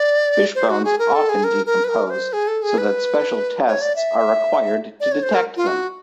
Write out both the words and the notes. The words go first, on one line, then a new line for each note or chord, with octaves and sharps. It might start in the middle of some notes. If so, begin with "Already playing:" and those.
Fish bones often decompose so that special tests are required to detect them.
Already playing: D5
C5
F#4
G#4
A#4
A4
G#4
A#4
A#4
B4
A#4
C5
G#4
A4
G#4
B4
C#5
D5
E5
D5
C#5
C5
A#4
F4
F#4